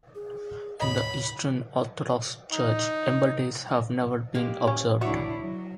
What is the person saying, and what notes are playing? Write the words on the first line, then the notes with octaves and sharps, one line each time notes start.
In the Eastern Orthodox Church ember days have never been observed.
G#4
D#2 A2 C#5 D#5 B5
D#4
G#3 A#3 G4
C#4
D4 E4 F#4 C#5 D5 E5
F#3